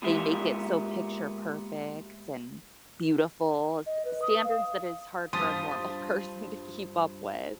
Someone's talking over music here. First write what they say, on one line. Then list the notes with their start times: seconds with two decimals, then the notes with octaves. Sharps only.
they make it so picture perfect and beautiful, s standards that is hard for a normal person to keep up with.
0.02 A#2 G#3 B3 G4 E5
3.86 D#5
4.05 B4
4.22 D#6
4.44 F5
5.33 G2 F3 A5 C6 D#6 A6 B6